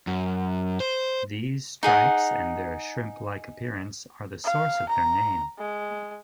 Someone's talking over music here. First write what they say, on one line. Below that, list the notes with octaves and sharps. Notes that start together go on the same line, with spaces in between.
These stripes and their shrimp-like appearance are the source of their name.
F#2
C5
D#4 G#4 F#5
F5
A#5
G#3